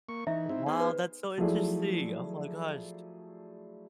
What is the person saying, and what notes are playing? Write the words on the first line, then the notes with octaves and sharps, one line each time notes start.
Wow, that's so interesting. Oh my gosh,
A#3 C#6
E3 D#4 E5
C4 E4
B3 G#4 C5
B4
F3 F#3 A3 E4 G#4 D5